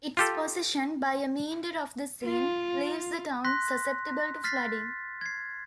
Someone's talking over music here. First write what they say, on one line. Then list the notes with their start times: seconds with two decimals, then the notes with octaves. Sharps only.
Its position by a meander of the Seine leaves the town susceptible to flooding.
0.17 F4 G4 A4
2.24 F4
3.45 C6 F#6 A#6 B6
4.44 F6 A6 B6 C7
5.21 G#6 C7